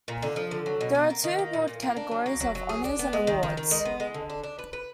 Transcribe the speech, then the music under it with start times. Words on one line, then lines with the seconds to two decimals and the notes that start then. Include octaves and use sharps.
There are two broad categories of honours and awards.
0.08 A#2
0.22 D3
0.36 F3
0.51 D3
0.66 F#3
0.81 B2
0.95 B3
1.10 A#3
1.24 D#3
1.39 A#3
1.53 A#2
1.68 A#2
1.82 A#3
1.96 D4
2.11 F#3
2.26 A#3
2.40 F#3
2.55 F#3
2.69 G#4
2.84 D4
2.99 B3
3.13 G#3
3.27 D#3
3.43 D#3
3.57 D#3
3.71 G#3
3.85 B3
4.00 G#3
4.14 D3
4.30 D4
4.43 D4
4.59 B4
4.73 B4